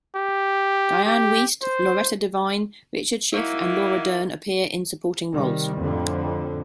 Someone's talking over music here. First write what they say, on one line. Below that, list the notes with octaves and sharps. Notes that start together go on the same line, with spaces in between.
Dianne Wiest, Loretta Devine, Richard Schiff and Laura Dern appear in supporting roles.
G4
G4
C5
F#3 A#3 D#4 E4
C3 D#3 G3
F2 A2 D3